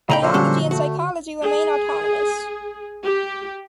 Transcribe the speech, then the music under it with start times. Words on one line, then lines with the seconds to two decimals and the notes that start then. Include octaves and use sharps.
Biology and psychology remain autonomous.
0.10 A2 C#3 D#5 G5 A#5 B5
0.22 A#2 F3 F#3 D4 A4 C5 C#5
0.34 D3 G3 C#4 F5 C#6
0.71 A3 F#4
1.43 G#4
3.05 G4